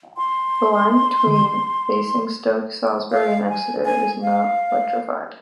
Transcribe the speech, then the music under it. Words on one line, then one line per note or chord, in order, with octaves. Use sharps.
The line between Basingstoke, Salisbury and Exeter is not electrified.
C6
F5
G#5
G#5
F5